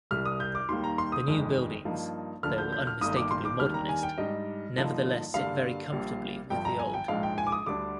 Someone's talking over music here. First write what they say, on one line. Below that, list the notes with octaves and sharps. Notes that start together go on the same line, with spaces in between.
The new buildings, though unmistakably Modernist, nevertheless sit very comfortably with the old.
C2 C3 G3 F6
D#6
G6
D6
D#2 D#3 G3 A#3 C6
A#5
C6
D#6
G1 F2 D#3 G#3
G2 F3 A#3 D#4
D2 D3 F3 A#3 D4 F6
G6
G6
F6
G1 G2 D#3 A#3 D#6
D6
C6
D6
D#2 D#3 G3 D4 F6
A#5
G#5
G5
G#2 G3 D4 D#5
G2 D3 F3 A#3 D#4
G2 D3 G3 A#3 F5
A#1 A#2 G3
G1 G2 F3 G5
A#5
G#5
G5
A#1 G#2 F3 G#3 D#4 F5
G5
G#5
D6
D#6
D2 D3 G3 D4 D6